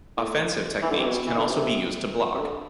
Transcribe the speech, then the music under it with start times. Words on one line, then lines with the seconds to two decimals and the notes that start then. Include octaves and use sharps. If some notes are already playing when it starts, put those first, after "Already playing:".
Offensive techniques can also be used to block.
0.17 A2
0.82 E3
0.90 D3
0.99 C3
1.06 B2
1.26 E3
1.38 D3
1.50 C3
2.34 C3
2.39 D3